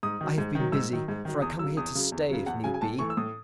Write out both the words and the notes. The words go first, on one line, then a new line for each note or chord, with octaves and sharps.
I have been busy, for I come here to stay if need be.
G#2 D#6
D#3 F#3
G#2
D#3 F#3
G#2 E6
D#3 F#3
G#2
D#3 F#3
E2 D#6
C#3 F#3 E6
E2 D#6
C#3 F#3
E2
C#3 F#3
E2 F#5
C#3 F#3 G#5
G#5
A2 A5
E3 A3 C#6
E6
A2 D#6